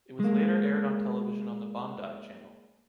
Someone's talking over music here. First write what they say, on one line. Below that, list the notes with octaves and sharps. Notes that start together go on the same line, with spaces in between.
It was later aired on television on the Bandai Channel.
G#3 A#3